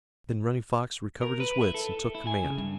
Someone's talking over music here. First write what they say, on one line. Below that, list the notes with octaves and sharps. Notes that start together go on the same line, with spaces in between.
Then Running Fox recovered his wits, and took command.
A#4
B4
E4
A4
E4
G#5
C#3
G2